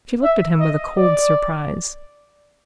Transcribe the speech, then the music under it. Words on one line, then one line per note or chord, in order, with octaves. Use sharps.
She looked at him with a cold surprise.
E5
D#5
D5